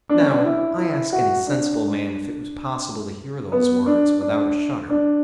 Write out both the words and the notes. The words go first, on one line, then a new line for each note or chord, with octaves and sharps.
Now I ask any sensible man if it was possible to hear those words without a shudder.
D4
C#4
D4
E4
E4
F#4
D4
B3
D4
D4
D4